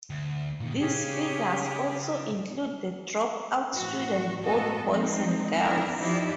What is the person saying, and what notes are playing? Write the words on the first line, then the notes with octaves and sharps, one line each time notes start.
These figures also include the dropout students both boys and girls.
D2
A#2 C#3
C#3 C#4 G4 G#4
A2 E3 F#4
A2 G#3 B3 F#4 A4 D#5
F3 G#3 B3 C4 D#4
B3 D4 E4 A#4
F3 D#4 E4 G4 D5 D#5